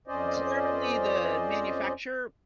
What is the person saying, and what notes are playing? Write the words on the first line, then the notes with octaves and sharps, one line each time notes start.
clearly the manufacturer
F2 C#4 C5 D5 D#5